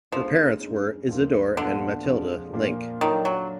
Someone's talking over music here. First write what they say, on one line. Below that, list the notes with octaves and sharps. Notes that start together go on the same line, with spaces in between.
Her parents were Isidor and Mathilde Link.
D2 D3 F3 G#3 B3 F4
F#2 D3 G#3 D#4
D#2 D3 F3 A#3
A#2 D3 F3 B3
F2 F3 G#3 D4
A#2 F3 A#3 D4 F4
D3 D#3 F#3 D4 F4
F#3